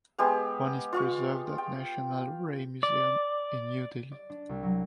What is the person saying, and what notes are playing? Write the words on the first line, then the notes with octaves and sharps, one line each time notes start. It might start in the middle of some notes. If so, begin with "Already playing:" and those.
One is preserved at National Rail Museum in New Delhi.
G#3 B3 G4 F5
F4 F5 C#6
G5
D5
D5
D4
C2
F#3